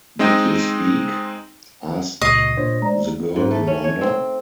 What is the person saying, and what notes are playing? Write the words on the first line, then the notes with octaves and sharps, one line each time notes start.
Did you speak? asked the girl, in wonder.
G#3 C4 D#4 D#5 G5
C#2 A#2 C#3 D#5 C#6 C7 D#7
A#2 D4 C5 C#5
G#3 A3 C5 D5 A#5
G#2
A3
C#4
C#5
C4